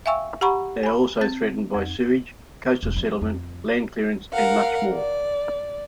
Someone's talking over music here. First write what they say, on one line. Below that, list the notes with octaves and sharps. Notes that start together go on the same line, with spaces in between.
They are also threatened by sewage, coastal settlement, land clearance and much more.
E5 F5 G5 G#5 C#6 E6
G4 F#5 A#5 B5 C#6
G#5 B5
C4 A6
F2
E1
F2
F2
A#4 F5 F#5
D5